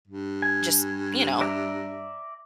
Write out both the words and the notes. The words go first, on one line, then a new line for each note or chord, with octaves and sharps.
just, you know,
G2
G#5
D5 E5 A#5